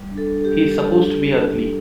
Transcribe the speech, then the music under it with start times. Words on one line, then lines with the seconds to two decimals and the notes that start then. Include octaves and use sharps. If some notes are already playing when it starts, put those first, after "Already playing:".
He's supposed to be ugly.
Already playing: G3
0.11 D4
0.18 A4
0.32 D4
0.41 A4
0.45 G4
0.52 G3
0.72 G3 A4
0.93 D4
1.13 D4
1.33 G3
1.53 G3